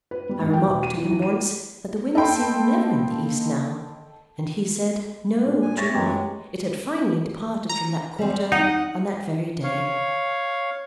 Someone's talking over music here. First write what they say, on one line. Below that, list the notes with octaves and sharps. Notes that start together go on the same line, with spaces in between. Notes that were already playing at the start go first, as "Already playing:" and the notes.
I remarked to him once that the wind seemed never in the east now, and he said, no, truly; it had finally departed from that quarter on that very day.
B4
G3
G#2
G5
E1
D#7
E3
E3
D#7
A#3 A4 D#5 G5 B5 C6
A#2 D4
G#5
C#5 E5 C#6 A6 A#6
F#2 E3 F#3 G#3 G4 C#6
A#5
G3 C4
D#4 F#5
C#5 F5